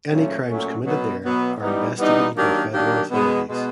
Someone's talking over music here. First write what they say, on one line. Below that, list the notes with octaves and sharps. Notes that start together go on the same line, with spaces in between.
Any crimes committed there are investigated by federal authorities.
A#2 F#3 A3 C#4
A#2 F#3 A3 C#4
B2 F#3 B3
B2 F#3 B3
E3 G3 B3 D#4
E3 G3 B3 D#4
D#3 F#3 A#3 D4 G4
D#3 F#3 A#3 D4 G4
B2 G#3 B3
B2 G#3 B3